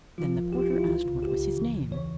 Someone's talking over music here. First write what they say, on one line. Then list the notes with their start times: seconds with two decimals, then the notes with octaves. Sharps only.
Then the porter asked what was his name.
0.18 F3 F4
0.35 C2
0.53 C2 G4
0.62 F4
0.70 C2 E4
0.79 F4
0.87 C#2
1.05 C#3
1.22 C#2 G4
1.40 C#3
1.57 E3
1.74 E2
1.92 E3 C#5